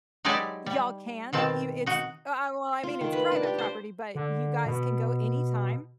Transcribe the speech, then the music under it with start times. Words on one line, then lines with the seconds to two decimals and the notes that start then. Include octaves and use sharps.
Y'all can? Ev it's uh, uh, well, I mean, it's private property, but you guys can go anytime?
0.25 F#3 G#3 D#4 E4 G4 D5
0.66 G3
1.33 B2 D#3 C4 A5
1.86 D#4 F#4
2.83 F4
3.01 D#3
3.12 B4
3.31 D4
3.43 G4
3.58 C5
4.15 D3
4.66 B2